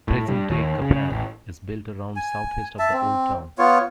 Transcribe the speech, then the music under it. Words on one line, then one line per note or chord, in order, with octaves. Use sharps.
Present-day Kapan is built around southeast of the old town.
A2
G2
D#2
C#3
A1
G#5
E5 A5
C4
B3 F4 C#5